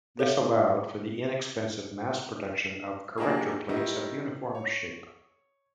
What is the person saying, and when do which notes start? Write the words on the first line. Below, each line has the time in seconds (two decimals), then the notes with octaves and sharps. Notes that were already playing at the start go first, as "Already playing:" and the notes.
This allowed for the inexpensive mass production of corrector plates of uniform shape.
0.19 A4 C#5 D5 E5 F5
3.18 F#3 A#3 D4 D#4 G4 G#4
3.69 D#3 G3 B3 D#4 E4
4.55 C#5